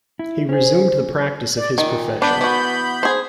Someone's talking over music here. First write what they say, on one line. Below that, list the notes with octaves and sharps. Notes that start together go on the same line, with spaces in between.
He resumed the practice of his profession.
E4
C#4 G#4 C5
D5
A#2 D#3
B3 D4 B5 G6
E3 F#4
G#4 C5